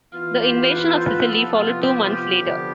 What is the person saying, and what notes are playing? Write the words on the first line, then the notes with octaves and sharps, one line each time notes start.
The invasion of Sicily followed two months later.
E3 B3 F4 F5
G4
B4
A4
C5
B4
C3 F3 B3 A4
F4
G4
F4
G4
D3 F3 B3